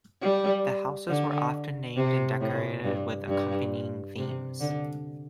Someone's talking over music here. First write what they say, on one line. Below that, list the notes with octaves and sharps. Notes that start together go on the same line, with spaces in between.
The houses were often named and decorated with accompanying themes.
G3
D3
C3
A2
G2
G2
C3
D3